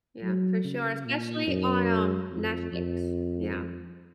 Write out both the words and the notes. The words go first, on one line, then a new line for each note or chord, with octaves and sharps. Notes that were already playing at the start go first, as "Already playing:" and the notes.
Yeah, for sure, especially on, um, Netflix, yeah.
F#3
C#3
A#2
F#2
F2
F2